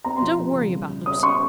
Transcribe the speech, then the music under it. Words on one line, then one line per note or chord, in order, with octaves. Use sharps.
And don't worry about Lucy.
C4 A#5
C6
F3
F3
C#3
G3
C#3
C#4 D#6
C#4 C#6